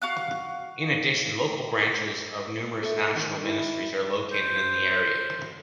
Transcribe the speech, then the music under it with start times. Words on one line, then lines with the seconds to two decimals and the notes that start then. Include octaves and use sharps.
In addition, local branches of numerous national ministries are located in the area.
0.02 F#4 F5 F#6
2.82 A3
3.15 D#3
3.45 E4
4.31 C5